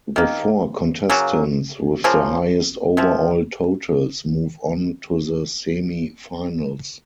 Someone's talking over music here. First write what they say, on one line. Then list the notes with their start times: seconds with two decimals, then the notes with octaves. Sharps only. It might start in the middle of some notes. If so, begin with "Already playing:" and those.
The four contestants with the highest overall totals move on to the semi-finals.
0.16 D#3 A#3
1.10 C#3 F#3 A#3
2.04 C#3 F3 A#3
2.97 C3 F3